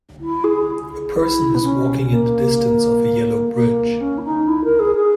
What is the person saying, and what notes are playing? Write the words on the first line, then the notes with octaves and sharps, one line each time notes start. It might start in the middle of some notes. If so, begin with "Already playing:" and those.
A person is walking in the distance of a yellow bridge.
E4
G#4
E4
B3
C#4
A#3
A#3
C#4
E4
D#4
E4
A#4
G#4
G#4